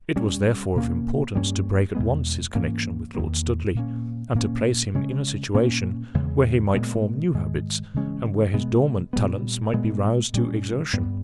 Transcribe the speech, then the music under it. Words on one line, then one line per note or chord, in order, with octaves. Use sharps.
It was therefore of importance to break at once his connexion with Lord Studley, and to place him in a situation where he might form new habits, and where his dormant talents might be roused to exertion.
B2 G3 C#4
B2 A#3 C#4
G2 G3 A#3 C#4
E2 B2 G#3 B3
G#2 E3 A#3 C#4
E2 D#3 A#3
A#2 A#3 C#4
A#2 A#3 C#4
C#3 G#3 C#4
A#2 A#3 C#4
E2 C#3 E3 G#3
A#2 G#3 B3
G#2 D#3 G#3
C#3 E3 G#3 C#4
B2 G#3 B3
A#2 G3 B3
A#2 G#3 B3
A#2 G3 C#4
G2 G3 B3